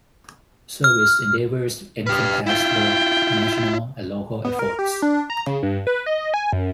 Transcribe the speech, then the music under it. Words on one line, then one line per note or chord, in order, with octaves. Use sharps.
Service endeavors encompass both national and local efforts.
F6
G4 B4 F6
E4 F4 G5
B3
A#4
G4
D4
A#5
C#3
G2
B4
D#5
G#5
F#2